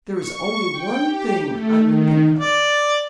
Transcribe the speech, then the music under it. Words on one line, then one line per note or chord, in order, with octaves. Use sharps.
There was only one thing I could think of.
C#6
G5
G4
A3
D#3
D5